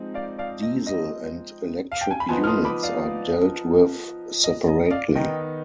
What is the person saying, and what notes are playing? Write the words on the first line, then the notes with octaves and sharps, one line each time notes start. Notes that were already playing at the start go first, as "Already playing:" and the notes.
Diesel and electric units are dealt with separately.
Already playing: F3 G#3 C4 D#4
D5 F5
D5 F5
D#5
D#5
F5
G5
G#5
B5
F3 B3 D#4 G#5 C6
F6
C6 D#6
B5 D6
D5 F5
D#5
D#5
D#5
D5 F5
D#3 B3 D#4 D#5 G5